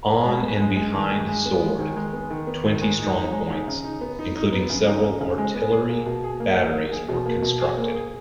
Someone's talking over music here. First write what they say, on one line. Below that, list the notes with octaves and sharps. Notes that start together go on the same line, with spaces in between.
On and behind Sword, twenty strongpoints, including several artillery batteries, were constructed.
G#3
B3
G#3
G#3
D#3
G#3
G#3
B3
G#3
D#3
G#3
B3
D#3
B3
D#3
G#3
D#4
D#4
G#3
D#4
C#3
D#4
B3
D#4
D#4
B3
C#3
D#4
C#3
C#3
G#3
B3
G#4
A#3
B2
G#4
A#3
A#3
A#3
G#4
B2
A#3
B2
G#4
A#3
G#4